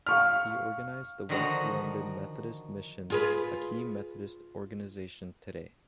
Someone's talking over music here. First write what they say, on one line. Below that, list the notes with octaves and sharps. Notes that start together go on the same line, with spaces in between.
He organised the West London Methodist Mission, a key Methodist organisation today.
F5 C#6 F6
D3 D#3 F3 F#4 F#5 A#5
F4 G#4 B4